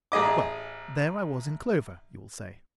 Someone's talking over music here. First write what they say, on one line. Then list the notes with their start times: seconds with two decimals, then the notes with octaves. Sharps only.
Well, there I was in clover, you will say.
0.12 A1 G#4 D#5 D6